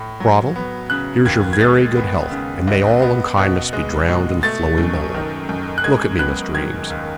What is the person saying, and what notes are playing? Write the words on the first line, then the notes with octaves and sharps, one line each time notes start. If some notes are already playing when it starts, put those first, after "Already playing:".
Mr. Cradell, here's your very good health, and may all unkindness be drowned in the flowing bowl-- Look at me, Mr. Eames.
Already playing: A2
F#3
B3
C#3 F#6
D#2 G#6
G#6
G#3 A6
B3
C#3
C#2
B3
B2
G#3
B2
A3 A6
F#2
D#3
F#2
F#6
G#3 G#6
B3 F#6
D#3 G#6
D#2